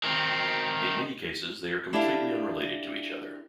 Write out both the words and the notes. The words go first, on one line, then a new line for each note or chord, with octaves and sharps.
In many cases, they are completely unrelated to each other.
D#3 C4
D4 E4 G4 A4 D5 F5